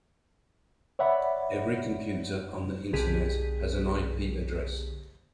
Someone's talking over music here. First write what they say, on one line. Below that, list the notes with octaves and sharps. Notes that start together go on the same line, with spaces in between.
Every computer on the Internet has an IP address.
C#5 D5 E5 F#5 B5
B1 D3 G4 G#4 B6 D#7